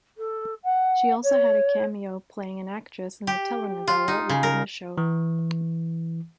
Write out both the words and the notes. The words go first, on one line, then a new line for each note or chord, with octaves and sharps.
She also had a cameo playing an actress in the telenovela within the show.
A4
F#5
C#5
G4
F4
D#4
C#3
A#4
E3